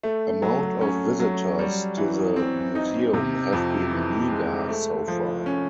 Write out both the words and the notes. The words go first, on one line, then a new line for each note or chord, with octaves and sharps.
Amount of visitors to the museum have been meager so far.
A3
F#3
C#4
F#3
G3
E3
C4
D#4
C3
F2
E3
G#3
A3
F3
C#4